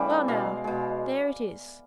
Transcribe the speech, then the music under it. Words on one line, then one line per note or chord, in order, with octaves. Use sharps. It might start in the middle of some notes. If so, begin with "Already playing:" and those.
Well, now, there it is.
Already playing: C#3 E3 G3 A3 D5
E5
B2 G#3 F5
B2 G#3